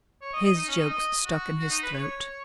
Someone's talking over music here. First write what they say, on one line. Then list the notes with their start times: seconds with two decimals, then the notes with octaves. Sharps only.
His jokes stuck in his throat.
0.22 C#5
0.33 D#5
0.45 D#5
0.56 D#4
0.68 C#4
0.78 D#4
0.90 D#5
1.25 F#4
1.59 F#4
1.70 D#4
1.83 B4
1.93 C#5